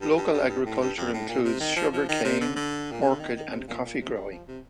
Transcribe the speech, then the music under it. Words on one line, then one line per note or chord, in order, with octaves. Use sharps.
Local agriculture includes sugar cane, orchid and coffee growing.
G2
G2
G2
G2
A2
G2
F2
A2
A#2
C3
D#3
F3
F3
D#3
C3
D3
D3
A#2
C3
D3
D#3
D#3
C3
A#2
A#2
C3
G3
F3
C3